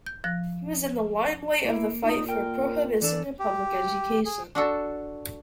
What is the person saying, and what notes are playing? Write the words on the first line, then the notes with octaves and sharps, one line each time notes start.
He was in the limelight of the fight for prohibition and public education.
G6
F3 F#6 A#6
A#3 E4 A#4
A#2 D#4
A#4 G5
E3 D4 A4 D5
G4
G#4
D4 F#4 A4